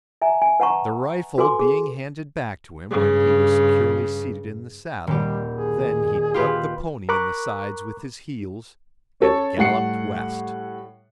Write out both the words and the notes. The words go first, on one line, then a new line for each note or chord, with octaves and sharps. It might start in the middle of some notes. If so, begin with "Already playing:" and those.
The rifle being handed back to him when he was securely seated in the saddle, then he dug the pony in the sides with his heels, and galloped west.
E5 G#5 A#5
G#5
B4 F#5 A5 A#5 C#6
F#4 A4 B4 G#5 C6 D6
G#4
G2 C#3
D#1 G3 G4
G#4
F4 G4 B4
A#4 A#5 B5 C#6 D6 F#6
C#4 A4 C#5
A2 G3 A3 F#5 C7 C#7